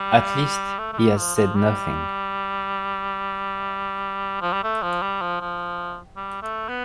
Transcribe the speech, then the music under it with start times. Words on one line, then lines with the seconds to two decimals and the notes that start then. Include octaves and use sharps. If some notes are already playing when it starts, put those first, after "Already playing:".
At least, he has said nothing.
Already playing: G3
0.79 A3
0.93 A3
0.98 G3
1.18 F3
1.36 F3
1.56 G3
4.41 F3
4.53 G3
4.63 A3
4.83 F3
5.02 G3
5.22 F3
5.41 F3
6.17 G3
6.42 A3
6.69 B3